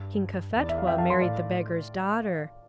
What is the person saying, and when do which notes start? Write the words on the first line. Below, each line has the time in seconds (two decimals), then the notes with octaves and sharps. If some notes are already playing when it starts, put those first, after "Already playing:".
King Cophetua married the beggar's daughter.
Already playing: G2
0.54 E2
0.60 D5
0.69 E5
0.78 F5
0.87 F2 E5 G5
0.98 F5 A5
1.10 A5 C6
1.21 A2 D5 F5